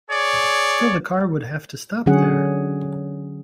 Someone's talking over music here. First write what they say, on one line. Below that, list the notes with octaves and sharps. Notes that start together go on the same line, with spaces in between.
Still the car would have to stop there.
G#4 C#5 D5
D3 F#3 C#4 G#4 F#5